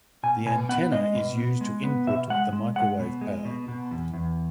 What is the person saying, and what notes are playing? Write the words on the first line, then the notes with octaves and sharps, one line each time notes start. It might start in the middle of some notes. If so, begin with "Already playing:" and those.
The antenna is used to input the microwave power.
B2 G#5
B2 G#5
B3 F#5
G#3 D#5
B2
B3
G#3
B3
B2 E5
G#3 F#5
G#3
G#3 F#5
B2
G#3
B2
B2
E2
E2